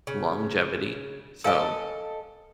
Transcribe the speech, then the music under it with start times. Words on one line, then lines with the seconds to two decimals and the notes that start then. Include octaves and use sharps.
longevity. So,
0.07 C#3
1.44 A4 A#4 D#5 F5 G#5